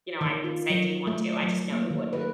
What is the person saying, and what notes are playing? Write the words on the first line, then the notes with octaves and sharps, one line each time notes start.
you know, I would say, "Do you want to?" I just know he wouldn't.
D#3
F4
F#3
A3
F#3
A#3
D#3
B4